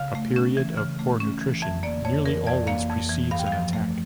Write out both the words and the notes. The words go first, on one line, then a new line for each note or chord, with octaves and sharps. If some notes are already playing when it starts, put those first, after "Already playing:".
A period of poor nutrition nearly always precedes an attack.
Already playing: C#3 F5
A3
C#4
E3
C#3
A3
C#4
E3
F2 E5
A#3 D5
F2 C#5
E3 A#4
F2 D5
A#3 F5
F2
E3
G2 F5
G5
F5
F3
A3